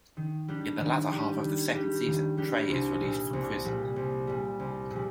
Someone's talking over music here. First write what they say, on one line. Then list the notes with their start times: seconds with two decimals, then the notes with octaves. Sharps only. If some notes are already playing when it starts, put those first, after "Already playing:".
In the latter half of the second season, Trey is released from prison.
0.17 D#3
0.48 G3 D4 G4
0.80 D#3
1.11 G3 D4 G4
1.43 D#3
1.74 G3 D4 G4
2.06 D#3
2.37 G3 D4 G4
2.70 C2
3.01 A#2 G3
3.33 C2
3.64 A#2 G3
3.96 C2
4.27 A#2 G3
4.59 C2
4.90 A#2
4.96 G3